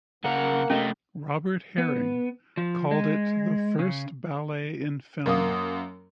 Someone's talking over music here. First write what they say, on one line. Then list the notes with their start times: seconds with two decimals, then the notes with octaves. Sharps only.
Robert Herring called it "the first ballet in film".
0.24 C#3 A#3 A#4 F#5
0.70 C3 A3 C#4 D#5
1.78 B3
2.57 F3
2.91 G#3
3.79 C#3
5.26 F#2 A#3 D#6